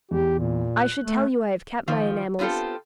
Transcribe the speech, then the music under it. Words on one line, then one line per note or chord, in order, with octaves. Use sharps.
I should tell you I have kept my enamels.
E2 G4
A#2
F#6
A3
D#3 F3 F4
B3 C4 F4 G4 A4